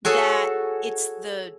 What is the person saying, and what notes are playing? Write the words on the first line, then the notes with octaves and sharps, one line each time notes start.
that it's the
F#4 G#4 A4 C#5